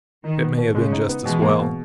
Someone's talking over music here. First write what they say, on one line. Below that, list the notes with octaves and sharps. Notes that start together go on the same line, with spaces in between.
It may have been just as well.
D#3 D#4
B3
B2
C#3 G#3
D#4
B3
B2 E3 G#3
A#3
B2